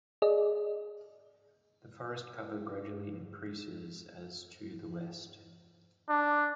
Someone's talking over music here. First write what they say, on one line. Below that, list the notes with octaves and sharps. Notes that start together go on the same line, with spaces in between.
The forest cover gradually increases as to the west.
G#4 D5 D#5
D4